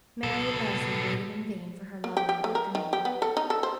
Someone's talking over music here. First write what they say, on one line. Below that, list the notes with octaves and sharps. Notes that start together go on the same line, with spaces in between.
Marian Lesley waited in vain for her lover that afternoon.
B2 A4
A#3
G4
G4
A3
A#4
D#3
G4
B3
A4
D#4
A4
C5